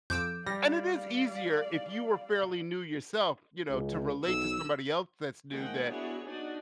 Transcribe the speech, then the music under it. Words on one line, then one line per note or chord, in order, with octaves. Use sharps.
and it is easier if you are fairly new yourself, you know, to relate to somebody else that's new that
F2 D6 E6 G6
G3 D5 F5 A#6
C#2
B1 E6
D#3 F3 G#3 A#3 F#5 G5
B3 D4 E4 F#4 G#4 C#5
D4 D#4 F#4